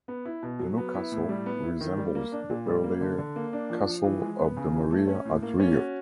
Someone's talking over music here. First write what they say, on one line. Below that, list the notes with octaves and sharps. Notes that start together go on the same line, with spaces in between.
The new castle resembles the earlier Castle of the Morea at Rio.
B3
E4
B2
F#3
B3
E4
A2
G3
B3
E4
D#3
G3
A#3
D4
A#2
G3
A#3
D3
D3
A#3
D4
F3
F3
E3
G#3
B3
C#3
E3
A3
C#4
A2
A#3
C#4
F#4